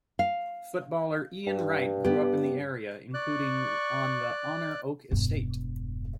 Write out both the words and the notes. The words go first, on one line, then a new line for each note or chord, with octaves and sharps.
Footballer Ian Wright grew up in the area, including on the Honor Oak Estate.
F5
G2
B3 G4
D5 C#6 F#6
E1 G2